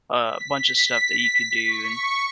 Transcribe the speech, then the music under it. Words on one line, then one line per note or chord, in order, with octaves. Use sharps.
a bunch of stuff that you could do and
B6
C#6